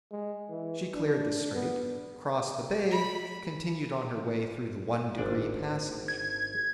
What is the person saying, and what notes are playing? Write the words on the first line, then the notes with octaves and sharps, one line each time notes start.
She cleared the Strait, crossed the bay, continued on her way through the 'One-degree' passage.
G#3
E3
D4
B3
B5
G#1 D4 D5
G#6